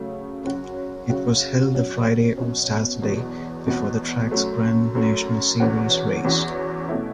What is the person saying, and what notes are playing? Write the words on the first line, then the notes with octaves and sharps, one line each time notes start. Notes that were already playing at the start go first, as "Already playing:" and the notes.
It was held the Friday or Saturday before the track's Grand National Series race.
Already playing: C#3 F#3 A3
F#2 C#3 F#3 C#4 F#4
F#2 C#3 F#3 C#4 F#4
B2 F#3 C#4
B2 F#3 C#4
E2 B2 F#3 B3
E2 B2 F#3 B3
F#2 F#3 A3
F#2 F#3 A3
E2 E3 C#4 F#4
E2 E3 C#4 F#4
B2 A3 C#4 E4